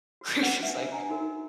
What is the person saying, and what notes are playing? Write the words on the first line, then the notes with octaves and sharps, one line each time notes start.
Where she's, like
F#4
B4 F#5
D4 E5
G#5 A#5
D#4 F#4 A#4